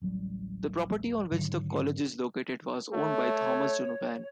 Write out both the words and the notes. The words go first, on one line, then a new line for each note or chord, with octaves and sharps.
The property on which the College is located was owned by Thomas Donovan.
D1 A1 F#3 G3
G#2 D3 D#3 F#3
A3 C#5